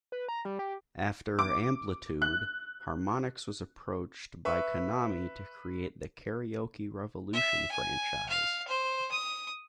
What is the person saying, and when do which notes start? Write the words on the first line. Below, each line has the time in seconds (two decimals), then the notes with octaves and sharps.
After "Amplitude", Harmonix was approached by Konami to create the "Karaoke Revolution" franchise.
0.12 B4
0.29 A#5
0.45 G3
0.59 G4
1.39 D6
2.22 F#6
4.45 B4 E5 C#6
7.33 E5
7.72 G#5
8.29 F5
8.68 C5
9.11 D#6